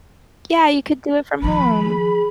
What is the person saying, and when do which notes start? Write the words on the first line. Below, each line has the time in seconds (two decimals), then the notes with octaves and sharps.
Yeah, you could do it from home.
1.42 D#3 F3 B5
1.83 G#4